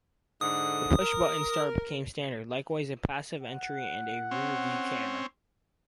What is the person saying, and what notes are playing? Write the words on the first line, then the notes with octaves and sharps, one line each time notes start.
The push-button start became standard, likewise a passive entry and a rear-view camera.
G#2 D3 D#6
A#4
F#5
C4 C#4